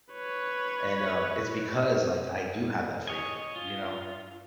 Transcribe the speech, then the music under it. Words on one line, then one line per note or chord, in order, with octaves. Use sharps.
and, um, it's because, like, I do have that freedom, you know?
B4 C#5
C#5 D#5 G#5
F4